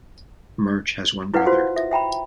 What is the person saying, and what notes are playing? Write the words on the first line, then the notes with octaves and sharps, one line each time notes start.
March has one brother.
E4 B4 F5 F#5
F4 F#4 C5
E5
E5 G5 A#5 B5